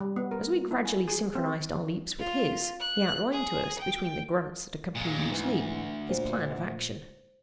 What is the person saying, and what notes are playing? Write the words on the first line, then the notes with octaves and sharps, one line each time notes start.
As we gradually synchronized our leaps with his, he outlined to us, between the grunts that accompanied each leap, his plan of action.
G3
B3
A#4
E4
G#5
G#4
C4
F4
F#6
G#4
G5
A#2 G#3
D2 G#2 E3
A#2 C5